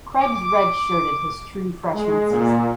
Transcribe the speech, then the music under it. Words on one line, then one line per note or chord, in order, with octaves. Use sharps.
Krebs redshirted his true freshman season.
D6
G#3
A#2